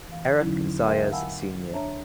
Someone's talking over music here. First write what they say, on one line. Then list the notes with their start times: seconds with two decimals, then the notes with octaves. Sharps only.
Eric Zayas Sr.
0.08 E3 F5
0.40 E2 D3 F#3 C#4 D#4 E4
0.84 A#4 E5 F5 G5 C6
1.11 F5 F#5 G#5 A5 B5 E6
1.72 D4 C#5 E5 A5 A#5